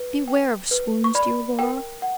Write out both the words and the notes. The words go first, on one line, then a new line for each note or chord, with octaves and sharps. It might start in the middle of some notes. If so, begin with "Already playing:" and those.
Beware of swoons Dear Laura....
Already playing: B4
G5
B4
C#6
D5 B5
A#4 G5
F#5